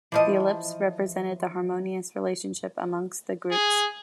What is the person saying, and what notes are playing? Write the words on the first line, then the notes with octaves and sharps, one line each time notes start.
The ellipse represented the harmonious relationship amongst the groups.
E3 F3 D#5
G#4